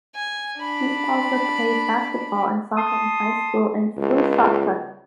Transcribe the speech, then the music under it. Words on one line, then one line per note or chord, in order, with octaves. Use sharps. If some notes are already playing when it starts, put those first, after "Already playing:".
Pete also played basketball and soccer in high school and threw shot put.
G#5
D4 B5
A5 C6 D#6
C#2